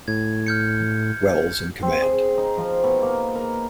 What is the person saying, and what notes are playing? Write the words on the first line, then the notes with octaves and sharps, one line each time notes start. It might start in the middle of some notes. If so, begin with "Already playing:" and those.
Wells in command.
A2 G#6
F6 G6 C#7
C4
G#4
D#4
F3
B2
A#3
A#4